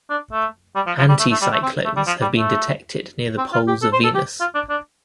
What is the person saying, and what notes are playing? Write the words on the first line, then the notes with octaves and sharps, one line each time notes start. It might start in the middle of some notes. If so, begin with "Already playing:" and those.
Anticyclones have been detected near the poles of Venus.
D4
A3
G3
F3
F3
G3
A3
A3
G3
A3
C4
A3
G3
F3
G3
A3
C4
F4
G4
A4
C5
A4
G4
F4
D4
D4